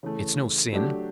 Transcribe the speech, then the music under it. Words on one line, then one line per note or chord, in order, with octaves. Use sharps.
It's no sin.
C#3 E3 A3
F#3 A3 D4 G4